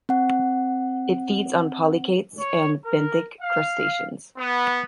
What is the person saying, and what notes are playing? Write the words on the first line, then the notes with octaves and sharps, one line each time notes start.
It feeds on polychaetes and benthic crustaceans.
C4 F#5
C#5
A#4
F5
B3